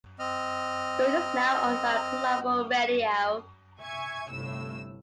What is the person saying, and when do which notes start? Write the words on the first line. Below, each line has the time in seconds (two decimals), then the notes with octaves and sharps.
Gold is now owned by Global Radio.
0.19 C4 D#5 F6
3.80 E5 G#5 C#6 G#6
4.30 G1 A2 C3 E6